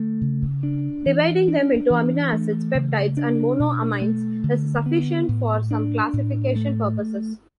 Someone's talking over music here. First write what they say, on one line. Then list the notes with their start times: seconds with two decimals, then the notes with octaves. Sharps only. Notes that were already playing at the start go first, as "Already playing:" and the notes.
Dividing them into amino acids, peptides, and monoamines is sufficient for some classification purposes.
Already playing: D3 A3
0.21 C#3
0.63 D4
1.06 E3
1.48 D4
1.90 E3
2.33 A3
2.75 C#3
3.17 D4
3.60 B2
4.01 A3
4.44 D3
4.86 B3
5.29 A2
5.71 D4
6.13 A2
6.56 A3